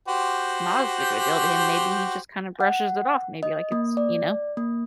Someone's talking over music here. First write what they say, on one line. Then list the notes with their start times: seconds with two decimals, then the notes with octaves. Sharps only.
it's not as big of a deal to him. Maybe he just kinda brushes it off. Maybe, like, it's you know?
0.08 F#4 G4 C5
2.60 F#5
3.43 D#5
3.72 A#3
3.97 D5
4.57 A#3